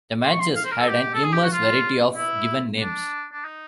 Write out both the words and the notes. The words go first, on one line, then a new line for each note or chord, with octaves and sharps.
The Manchus had an immense variety of given names.
C6
C#6
C6
F5
C5
A#4
A4
G4
A4
G#4
G4
F#4
F4
E4
D4
D4
D#4